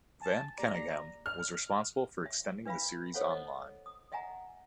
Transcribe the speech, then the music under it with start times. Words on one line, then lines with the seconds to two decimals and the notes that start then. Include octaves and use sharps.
Van Caneghem was responsible for extending the series online.
0.22 G#5 A5
0.58 A#3 G4 D5 A#5
1.26 F6
2.26 E5
2.65 D4 B4 E5 F5 B5
3.14 A4 C5 C#5 F5 F#5
3.31 D#5
3.86 D#6
4.12 D#5 E5 F#5 G#5 A#5